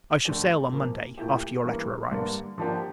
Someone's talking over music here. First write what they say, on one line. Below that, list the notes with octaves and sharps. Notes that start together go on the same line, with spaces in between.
I shall sail, on Monday, after your letter arrives.
D3 A3 D4 G4
A#2 F3 A#3
A#2 A3 E4 G4
G2 E3 G3 A#3
G2 D3 G3 A#3 D4
D3 F3 A#3 D4 G4